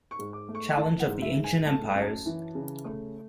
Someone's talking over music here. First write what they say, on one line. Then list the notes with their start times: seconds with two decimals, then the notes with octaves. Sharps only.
Challenge of the Ancient Empires!
0.11 C#6
0.19 G#2
0.33 D6
0.48 A3
0.55 C#6
0.77 E3 A5
1.00 F#5
1.07 G#2
1.22 E5
1.37 G#2
1.44 G#5
1.66 A3 A5
1.95 F#2
2.26 E3
2.55 C#3
2.85 A3